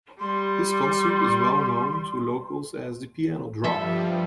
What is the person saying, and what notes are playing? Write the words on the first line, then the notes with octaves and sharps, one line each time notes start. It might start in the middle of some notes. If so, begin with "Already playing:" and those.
This concert is well-known to locals as the Piano Drop.
G3 C6
G2 F3 G3 A4 E5